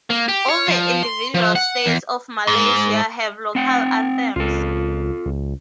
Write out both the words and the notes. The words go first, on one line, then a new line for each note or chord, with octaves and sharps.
All the individual states of Malaysia have local anthems.
A#3
G4
C#5
F3
C6
F3
F#5
E2
G#2
C4 F#5 G5
C#2 F4 A4
C#2